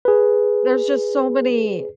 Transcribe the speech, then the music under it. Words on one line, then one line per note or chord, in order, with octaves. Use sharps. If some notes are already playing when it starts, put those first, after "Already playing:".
there's just so many
G#4 B4